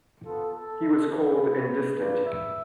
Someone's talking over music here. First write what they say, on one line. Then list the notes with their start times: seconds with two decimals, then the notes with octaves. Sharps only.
He was cold and distant.
0.24 B3 F4 A4
0.53 A4
0.81 B3 E4
1.10 B4
1.39 G#3 B3 E4
1.95 A3 D4 F4 B4
2.24 E5